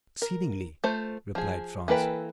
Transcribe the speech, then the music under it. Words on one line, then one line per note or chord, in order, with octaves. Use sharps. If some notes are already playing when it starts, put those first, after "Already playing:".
"Exceedingly," replied Franz.
A#4
A3 F4 C5
F3 G#4
E3 A#3 A4 B4 G5